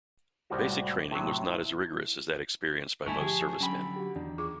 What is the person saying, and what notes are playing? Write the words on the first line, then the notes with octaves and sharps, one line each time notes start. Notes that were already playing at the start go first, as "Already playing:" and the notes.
Basic Training was not as rigorous as that experienced by most servicemen.
C2 A2 G3 G#3 F#4 E5
A2 C3 F#3
E4
G1 A3 D#4 E4 G#5 A5 C#6
F3 G4 G#4 G5
D3 F#3 C#4 G5 B5
F#4 G4
E2 D#3 D4
F4 G#4 D6